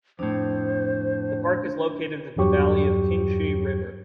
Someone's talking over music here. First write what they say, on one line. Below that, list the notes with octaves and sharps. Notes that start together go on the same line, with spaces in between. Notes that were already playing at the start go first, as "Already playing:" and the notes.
The park is located at the valley of the Qingshui River.
F2 A2 D4 C5
E2 G2 F#3 G4 C#6